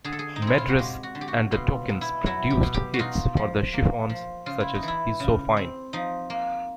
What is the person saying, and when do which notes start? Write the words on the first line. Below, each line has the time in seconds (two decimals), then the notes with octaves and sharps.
Medress and the Tokens produced hits for the Chiffons, such as "He's So Fine".
0.04 D3 G#4
0.12 A4
0.19 G#4
0.36 D#4
0.42 C4
0.47 E4
0.58 F4
0.68 F#4
0.79 G#3 G4
1.03 F#4
1.15 D3
1.21 G4
1.28 F#4
1.52 B2 F4
1.89 B2
2.01 E4
2.26 F#3 E4
2.50 G4
2.63 B2
2.74 G4
2.94 F#4
2.99 D#4 F4
3.37 F3
3.73 A#3
4.10 F3
4.46 C#3 F4
4.60 E4
4.75 D#4
4.83 E3
4.88 E4
5.20 C#3
5.57 C4
5.93 F3 D#4
6.30 A#3